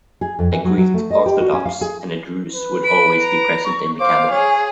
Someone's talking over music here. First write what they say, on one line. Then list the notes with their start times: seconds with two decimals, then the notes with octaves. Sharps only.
A Greek Orthodox and a Druze would always be present in the cabinet.
0.21 G#4
0.39 F2
0.52 E3
0.64 F#3
0.78 F#3
0.94 A3
1.10 D#5
1.26 G4
1.40 F#4
1.53 C#4
1.65 F5
1.81 G#4
2.55 B4
2.84 B5 D7
3.20 A#5
3.65 C#6
4.00 C5 F5 D6
4.31 G#4 C#5